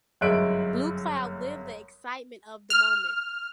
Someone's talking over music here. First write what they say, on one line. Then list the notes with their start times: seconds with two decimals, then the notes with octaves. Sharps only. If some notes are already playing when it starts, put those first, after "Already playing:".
Blue Cloud lived the excitement of the moment.
0.21 G1 F#2 G#3 E5 F#6 D7
2.70 F6